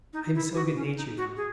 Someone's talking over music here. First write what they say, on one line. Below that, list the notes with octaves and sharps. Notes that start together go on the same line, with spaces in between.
I am so good-natured now.
D#4
E4
F#4
C#4
D#4
F#4
G#4